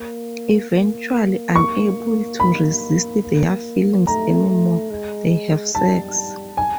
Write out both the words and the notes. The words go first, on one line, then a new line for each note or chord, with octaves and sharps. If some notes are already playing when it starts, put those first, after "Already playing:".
Eventually, unable to resist their feelings anymore, they have sex.
Already playing: A#3
A#3
C#6
B5
A#3
A3 A#5
A3
G#3
G3 A5
G#5